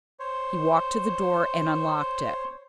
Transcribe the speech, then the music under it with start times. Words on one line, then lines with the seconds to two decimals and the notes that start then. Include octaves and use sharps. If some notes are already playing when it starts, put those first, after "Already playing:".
He walked to the door and unlocked it.
0.20 C5 C#5